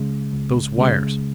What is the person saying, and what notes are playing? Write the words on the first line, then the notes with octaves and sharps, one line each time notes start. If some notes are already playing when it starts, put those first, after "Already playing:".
Those wires!
Already playing: C#2 C#3 G#3
C#2
C#3 G#3